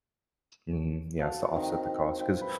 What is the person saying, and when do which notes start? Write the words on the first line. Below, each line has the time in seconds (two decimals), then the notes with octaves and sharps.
mm, yes, to offset the cost 'cause
1.19 F#4 A4 F5
1.56 D#3 C4 A#5
2.17 C5 E5 G5
2.41 B4